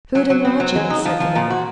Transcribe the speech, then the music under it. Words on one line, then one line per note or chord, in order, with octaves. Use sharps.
"Food and lodging," said the man.
F#3
F#3
C4
F#3
G#3
D#4
F3
F3
A#2
F#4